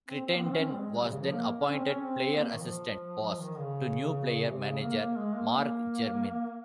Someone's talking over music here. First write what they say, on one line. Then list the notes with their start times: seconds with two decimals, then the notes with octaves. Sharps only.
Crittenden was then appointed player-assistant boss to new player-manager Mark Jermyn.
0.09 C4
0.26 C4
0.34 A#3
0.43 C4
0.52 C#4
0.61 C4
0.72 G3
0.78 G#3
0.96 G3
1.05 C3
1.13 C#3
1.22 F3
1.31 A#3
1.60 C#4
1.72 C4
1.84 C#4
2.01 C4
2.36 A#3
2.54 D#3
2.62 F3
3.41 D#3
3.59 C#3
4.47 C3
4.64 C#3
4.81 A#3
4.99 A#3
5.17 G#3
5.34 A#3
5.52 A#3